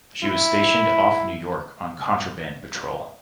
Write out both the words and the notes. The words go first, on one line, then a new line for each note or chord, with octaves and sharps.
She was stationed off New York on contraband patrol.
E4